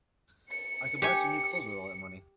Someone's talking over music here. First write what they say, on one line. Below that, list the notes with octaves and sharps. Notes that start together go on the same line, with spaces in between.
I could buy some new clothes with all that money.
C#7
G4 G#5